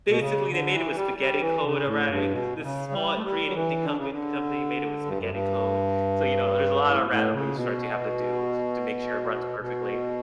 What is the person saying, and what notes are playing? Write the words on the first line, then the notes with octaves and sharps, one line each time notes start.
basically they made it with spaghetti code, alright? This this small Korean Indian comin company made it with spaghetti code, so, you know, there's a lot of random research you have to do to make sure it runs perfectly.
B2
C#3
D3
E3
G3
G3
E3
C#3
A2
G2
B2
B2
C#3
G3
A3
G3
F#3
E3
D3
C#3
D3
G2
F#2
G2
A2
A2
C#3
B2
B2